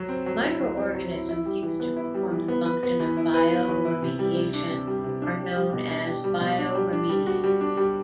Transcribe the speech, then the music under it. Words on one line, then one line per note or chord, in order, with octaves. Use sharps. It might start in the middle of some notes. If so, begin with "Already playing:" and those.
Microorganisms used to perform the function of bioremediation are known as bioremediators.
Already playing: F#3
C4
F#3
E4
F#3
C4
F#3
E4
E4
G3
E3
B3
E4
G3
E3
B3
B4
B3
E3
E4
B4
B3
E3
E4
C3
G3
C3
D4
C3
G3
C3
D4
G4
G3
B2
D4
G4
G3
B2
D4
G3
D4
G3
F#4
G3
D4
G3